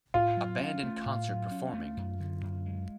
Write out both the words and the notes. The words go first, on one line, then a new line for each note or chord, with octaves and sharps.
A band in concert performing.
A2 F4
F#3
C#4
A3
A2
F#3
C#4
A3
F#2
D3
F#2
G#3